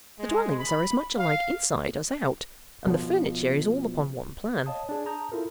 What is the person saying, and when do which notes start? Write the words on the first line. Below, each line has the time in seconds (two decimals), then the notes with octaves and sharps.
The dwellings are as much alike inside as out, and the furniture is all upon one plan.
0.17 G#3
0.57 B5
1.16 F5
2.87 B2 F3
4.66 C#5 D#5 F5 A5 D#6
4.89 D4 G#4
5.06 A5 A#5 D#6 G6
5.32 E4 F4 A4 A#4